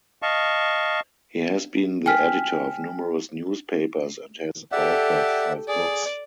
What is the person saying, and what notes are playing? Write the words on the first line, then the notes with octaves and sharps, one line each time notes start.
He has been the editor of numerous newspapers and has authored five books.
D#5 F5 A5 C#6
G5 G#5 F6 B6
G4 A4 D5 E5 F#5
G#4 D5